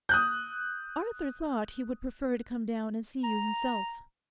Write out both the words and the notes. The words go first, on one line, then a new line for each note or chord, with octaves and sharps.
'Arthur thought he would prefer to come down and see you himself.'
D#6 F#6 G6
A#5